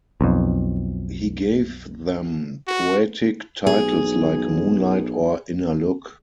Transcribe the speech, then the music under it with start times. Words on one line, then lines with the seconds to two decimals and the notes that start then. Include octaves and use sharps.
He gave them poetic titles like "Moonlight" or "Inner Look".
0.21 B1 F2
2.67 F#4
3.67 B1 G#4